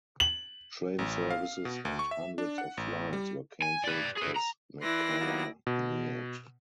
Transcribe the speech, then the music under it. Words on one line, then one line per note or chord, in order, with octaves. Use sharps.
Train services and hundreds of flights were cancelled as Mekkhala neared.
F#7
A1
F5
B2
D2
C#6
E5
D4
F#5
A1
G3
G#5
B4 D5
G#4 B4
A#5
E3 E4 B4 D5 C6 A#6
F#3 A#3 B3
B2